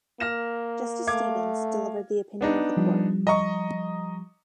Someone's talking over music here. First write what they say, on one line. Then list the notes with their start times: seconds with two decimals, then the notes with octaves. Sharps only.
Justice Stevens delivered the opinion of the Court.
0.20 A#3 F6 A#6 E7
1.07 A3 F5 D6 G#6
2.41 B3 D4 D#4
2.77 F3 G3
3.27 D#5 A#5 C#6